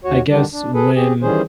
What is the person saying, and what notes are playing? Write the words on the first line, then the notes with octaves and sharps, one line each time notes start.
I guess when,
D#2 F#4 C#5
D3 D#3 G3 D4
D4
G#4 A4 B4
C4 G4 G#4
D#3 E3 G3 C#4 G#4 C5